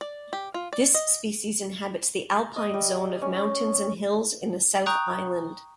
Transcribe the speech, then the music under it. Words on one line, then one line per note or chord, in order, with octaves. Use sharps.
This species inhabits the alpine zone of mountains and hills in the South Island.
D5
G4
F4
D5
D#5
D#5
G3
C#4
G5 A#5 C#6 D#6 F#6 G6